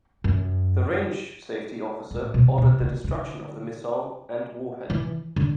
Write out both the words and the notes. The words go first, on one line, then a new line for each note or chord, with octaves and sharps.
The range safety officer ordered the destruction of the missile and warhead.
F#2
A2
B2
B2
C#3
D3
E3
D3